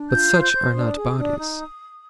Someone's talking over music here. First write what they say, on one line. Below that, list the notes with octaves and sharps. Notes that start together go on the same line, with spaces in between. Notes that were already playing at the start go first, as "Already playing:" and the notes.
But such are not bodies.
Already playing: D4
F4 G6
C5
G6
C5
D4 D#6
G#4
D4
D#4